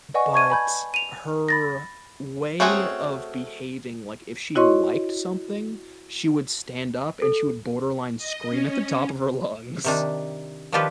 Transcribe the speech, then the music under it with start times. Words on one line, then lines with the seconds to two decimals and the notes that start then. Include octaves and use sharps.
but her way of behaving, like, if she liked something, she would stand up and she would borderline scream at the top of her lungs.
0.14 B4 D5 D#5 F#5 G#5 C#6
0.33 A5 C#6 G#6 D#7
0.50 G#5 B5 G6 G#6
0.94 D#7 F7
1.49 B5 A6 A#6
2.60 A3 C4 C#4 F#4 G#4
4.55 E4 F#4 C#5 D#5 C6 C#6
7.22 A4
8.18 D#5
8.50 C#4
9.84 C3 D#3 D4
10.72 D#3 F3 D4 F4 G4 B4